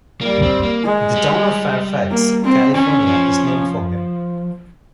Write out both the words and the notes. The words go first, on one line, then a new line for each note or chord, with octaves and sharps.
The town of Fairfax, California, is named for him.
G3 A#3
C4
A#3
G#3
G3
A#3
C4
E3 C#4
F3